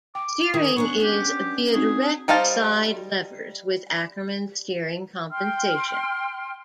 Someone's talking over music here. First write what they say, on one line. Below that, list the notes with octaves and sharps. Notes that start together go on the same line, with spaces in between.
Steering is via direct side levers with Ackerman steering compensation.
G5 D6
D#3 G#4 A#4 G5
B3 C#4 D4 C#6
G4
C4 D#4 F#4 G#4
G3 D#4 C5 F5 A5
G5 C6 F6